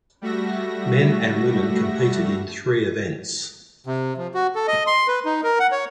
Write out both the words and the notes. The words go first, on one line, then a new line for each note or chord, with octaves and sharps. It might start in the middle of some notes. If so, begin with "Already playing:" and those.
Men and women competed in three events.
G3 A3 F#4 E5 A#6
C3
F3
F#4
A4
D#5
C6
B4
D#4
A#4
F#5
C#5